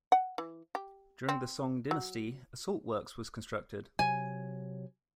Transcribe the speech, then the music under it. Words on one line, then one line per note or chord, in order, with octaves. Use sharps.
During the Song Dynasty, a salt works was constructed.
F#5
E3
G4
C4
F#3
C3 F#3 G#5